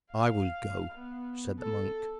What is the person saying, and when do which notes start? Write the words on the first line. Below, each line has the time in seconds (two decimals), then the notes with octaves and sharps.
"I will go," said the monk.
0.13 F5
0.94 B3
1.60 A4